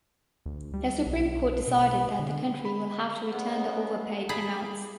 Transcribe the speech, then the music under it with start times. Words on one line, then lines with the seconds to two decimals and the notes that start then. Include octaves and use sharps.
The Supreme Court decided that the country will have to return the overpaid amounts.
0.46 D2
0.74 G3
1.06 B1
1.68 B2
2.19 D3
2.65 B5
3.31 C#3 G#3 B3
4.29 G#4 A5 B5